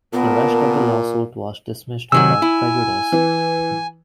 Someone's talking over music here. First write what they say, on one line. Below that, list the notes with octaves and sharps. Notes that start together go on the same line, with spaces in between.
The rest of the lawsuit was dismissed without prejudice.
A#2 B3 A#4 A5
C3 D#3 F#3 G#5 E6
E4
E3